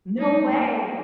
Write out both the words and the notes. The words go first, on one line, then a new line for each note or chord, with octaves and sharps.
No way!
D#4
A#3